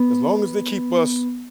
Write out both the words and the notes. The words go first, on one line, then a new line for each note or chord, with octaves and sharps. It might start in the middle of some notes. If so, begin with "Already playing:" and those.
As long as they keep us
Already playing: B3